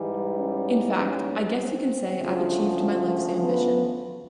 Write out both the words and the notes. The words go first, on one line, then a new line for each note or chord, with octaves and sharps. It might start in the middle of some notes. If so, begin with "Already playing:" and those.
In fact, I guess you can say I've achieved my life's ambition.
Already playing: G#2 E3 G3
C#4
C#4
C4
D2 C#3 F3
B3